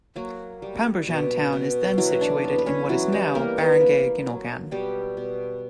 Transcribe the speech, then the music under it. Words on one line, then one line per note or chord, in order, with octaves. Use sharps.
Pambujan town is then situated in what is now Barangay Ginulgan.
F#3 A#3 F#4
G3
B2
B2
E3 F#3 F#4
D4
B3
B4
C#4 C#5
E3 F#3 F#4
G3 G4
A#3 B3 A#4
B3 B4
A#3
F#3
B2 G3 G4
B2